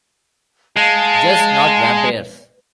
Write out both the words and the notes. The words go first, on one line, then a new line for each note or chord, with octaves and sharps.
Just not vampires.
G#3 F5 A5